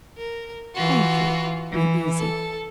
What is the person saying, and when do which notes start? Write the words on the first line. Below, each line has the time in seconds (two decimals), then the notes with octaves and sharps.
Thank you; be easy.
0.17 A#4
0.76 E3 F4 F#4
1.72 E3
2.18 A4